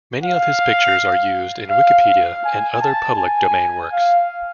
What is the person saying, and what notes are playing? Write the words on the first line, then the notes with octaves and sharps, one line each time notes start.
Many of his pictures are used in Wikipedia and other public domain works.
F5
F5
G#5
A5
G#5
F5